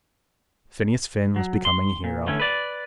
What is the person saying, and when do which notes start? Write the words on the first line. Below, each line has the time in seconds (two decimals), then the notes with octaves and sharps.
Phineas Finn was becoming a hero.
1.36 F#3
1.65 C6
2.04 A#2
2.27 D3 E3 A3 C#4
2.40 B4 D5